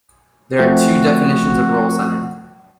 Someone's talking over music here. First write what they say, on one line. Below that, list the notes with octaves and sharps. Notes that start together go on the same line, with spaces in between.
There are two definitions of roll center.
F3 A3 C4 F#4